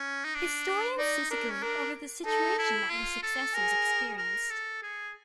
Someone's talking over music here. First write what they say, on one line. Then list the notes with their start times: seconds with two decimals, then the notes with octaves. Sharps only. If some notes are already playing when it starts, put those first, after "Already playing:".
Historians disagree over the situation that his successors experienced.
Already playing: C#4
0.25 D#4
0.35 D4
0.98 D#4 D5
1.30 D4 A#4
1.52 C#4
1.62 D4 A#4
2.26 D#4 A4
2.58 E4
2.90 F4
3.23 A4
3.55 G#4 A#4
4.19 A#4
4.50 A4
4.83 G#4